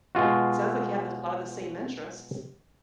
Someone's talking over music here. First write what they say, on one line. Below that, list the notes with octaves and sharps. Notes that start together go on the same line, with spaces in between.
sounds like you have the a lotta the same interests.
B2 G#3 F4 F#4